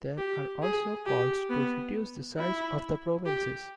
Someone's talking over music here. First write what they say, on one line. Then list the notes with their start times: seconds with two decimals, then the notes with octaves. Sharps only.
There are also calls to reduce the size of the provinces.
0.18 G4
0.62 G#4
1.06 G4
1.50 B3
2.38 E4
3.26 G4